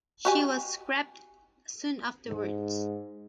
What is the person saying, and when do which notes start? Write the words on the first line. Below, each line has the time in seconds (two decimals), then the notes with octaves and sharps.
She was scrapped soon afterwards.
0.25 F#4 G4 G#5
2.27 G#2